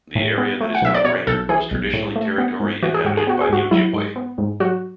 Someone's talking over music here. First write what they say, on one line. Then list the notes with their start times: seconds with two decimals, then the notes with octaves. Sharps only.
The area that is now Brainerd was traditionally territory inhabited by the Ojibwe.
0.16 A2
0.38 B3
0.61 A3
0.75 F#5
0.82 B1 E5
0.94 D5
1.05 B2 C#5
1.27 B1 A4
1.49 E3 G#4
1.71 B1
1.93 A2
2.16 A3
2.38 B3
2.60 G#2
2.82 E3 F#4
2.94 G#4
3.04 G#2 F#4
3.17 G#4
3.27 B3 F#4
3.41 G#4
3.49 G#2 F#4
3.71 F#3 E4
3.93 G#2
4.16 B3
4.38 G#2
4.60 F#3 F#4